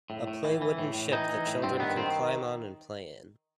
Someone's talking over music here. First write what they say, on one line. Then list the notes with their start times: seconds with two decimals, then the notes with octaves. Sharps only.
A play wooden ship that children can climb on and play in.
0.10 A2
0.28 A2
0.44 E3
0.62 E3
0.79 A2
0.95 A2
1.12 E3 D#4
1.29 E3
1.46 A2
1.63 G2 C4
1.80 D#3 B3
1.97 D#3 C4